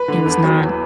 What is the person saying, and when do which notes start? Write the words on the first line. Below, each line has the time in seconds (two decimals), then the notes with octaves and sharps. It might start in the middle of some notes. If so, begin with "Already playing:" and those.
it was not.
Already playing: B4
0.08 D3
0.26 E2
0.44 F#3
0.60 E2